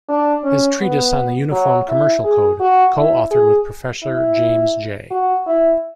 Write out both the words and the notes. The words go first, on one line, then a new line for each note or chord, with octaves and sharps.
His treatise on the Uniform Commercial Code, co-authored with Professor James J.
D4
C#4
B3
F#3
E4
G#4
F#4
E4
G#4
E4
F#4
E4